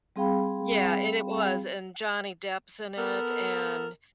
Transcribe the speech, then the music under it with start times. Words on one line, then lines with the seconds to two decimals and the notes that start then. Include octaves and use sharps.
Yeah, and it was, and Johnny Depp's in it, and
0.16 G3 C4 G#4 F5 G5 B5
2.97 B3 A4 A#4